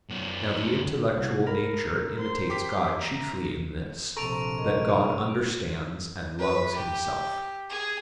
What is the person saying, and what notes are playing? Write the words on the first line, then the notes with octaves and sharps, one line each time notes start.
Now the intellectual nature imitates God chiefly in this, that God understands and loves Himself.
F#2 B3
C2
A#4 A#5 B5
C5 C6
G4 D6 B6
E5 A#5
A#1 C3 A4 A5 A#5 C#6 D7 F7
G#4 A#4 D#5
B4
G4
G#4